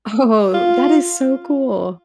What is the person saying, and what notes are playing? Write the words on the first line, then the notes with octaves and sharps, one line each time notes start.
Oh, that is so cool.
F4